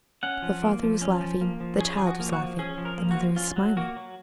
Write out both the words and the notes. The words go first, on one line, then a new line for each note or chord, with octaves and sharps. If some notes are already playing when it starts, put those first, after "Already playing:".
The father was laughing, the child was laughing, the mother was smiling.
C#4 F#5
F3
A#3
F3
C#4
F3
A#3
F3
C#4 G#4
F3 G#4
F#4
A#3
F#4
F3
C#4 G#4
F3
A#4
A#3
F#4
F3
C#4 F4
F#3
A#3 F#4
F#3